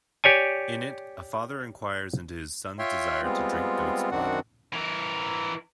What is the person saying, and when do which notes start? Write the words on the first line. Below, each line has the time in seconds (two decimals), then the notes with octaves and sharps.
In it, a father inquires into his son's desire to drink goat's blood.
0.24 G4 C#5 D5 G#5
2.79 F4 C#5 E5 G5 C6
3.23 G3 G#3 B3 C4 F4
4.11 F#2 D#3 C4 D4 F#4 F#5
4.73 E3 A#4